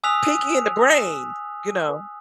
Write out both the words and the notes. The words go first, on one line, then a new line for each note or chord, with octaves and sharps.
Pinky and the Brain, you know?
G#5 D#6 E6 F#6 B6 F7